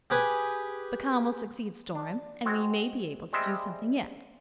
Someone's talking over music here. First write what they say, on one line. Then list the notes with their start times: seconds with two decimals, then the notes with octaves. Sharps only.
But calm will succeed storm, and we may be able to do something yet.
0.10 G4 G#4 B4 G#5
1.95 D4
2.45 G#3 C4 F#4
3.33 G3 G#3 C4 D#5 E5